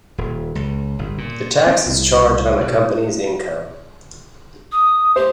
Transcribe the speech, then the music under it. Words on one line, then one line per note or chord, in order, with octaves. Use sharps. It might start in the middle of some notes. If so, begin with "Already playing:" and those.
The tax is charged on a company's income.
D#1
C#2
G1
A#2
C4
C2
B2
D#6
G4 C5